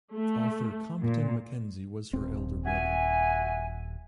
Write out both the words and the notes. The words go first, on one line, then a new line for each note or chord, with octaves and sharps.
Author Compton Mackenzie was her elder brother.
A3
A#2
D#1 C4
F#4 E5 G#5